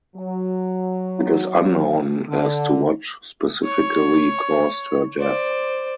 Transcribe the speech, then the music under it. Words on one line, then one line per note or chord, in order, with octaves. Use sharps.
It is unknown as to what specifically caused her death.
F#3
D3
C#5
C5 D5